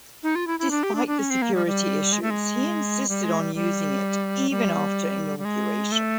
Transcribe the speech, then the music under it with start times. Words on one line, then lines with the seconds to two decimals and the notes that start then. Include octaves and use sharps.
Despite the security issues, he insisted on using it even after inauguration.
0.23 D#4
0.35 F4
0.47 E4
0.59 E4
0.71 D4
0.83 G4
0.95 D4
1.07 D4
1.18 C#4
1.30 C4
1.42 A#3
1.54 G3
1.66 G3
2.13 G#3
2.22 A3
2.30 G#3
3.09 G3
3.24 G#3
3.40 G3
3.55 G3
4.51 G3
5.39 G3
5.45 G#3
5.92 A3